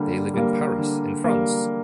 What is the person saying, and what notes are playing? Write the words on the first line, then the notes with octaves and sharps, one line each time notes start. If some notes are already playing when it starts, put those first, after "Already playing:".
They live in Paris, in France.
Already playing: D3 G3 A#3
G3 A#3
D3
G3 A#3